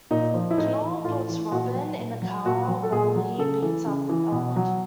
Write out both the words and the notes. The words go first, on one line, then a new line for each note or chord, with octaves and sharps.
Knoll puts Robyn in a car while Lee beats up Elwood.
A#2 D#4
F3
E4
A2 D#4
E3
A2 F4
E3
A#2 F#4
F#3
A#2
F#3
A#2 F#4
F#3
A4
A#2 G#4
F#3
C#3 A4
E3
C#3
E3
B2
F#3